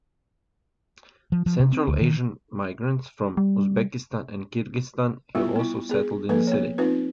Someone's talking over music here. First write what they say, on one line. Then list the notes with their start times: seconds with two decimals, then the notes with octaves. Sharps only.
Central Asian migrants from Uzbekistan and Kyrghyzstan have also settled in the city.
1.32 F3
1.46 F3
1.59 C3
1.72 C4
1.87 D2
2.02 D#3
3.37 G3
5.35 G3 B3 E4 F4
5.56 B3 E4
5.89 B3 G#4
6.29 F3 A#3 A4 B4
6.47 B3 C#5
6.78 C4 D#4 F4 B4